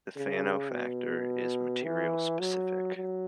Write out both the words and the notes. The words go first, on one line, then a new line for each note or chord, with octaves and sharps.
The Fano factor is material specific.
C#3
B2
E3
F#3
F#3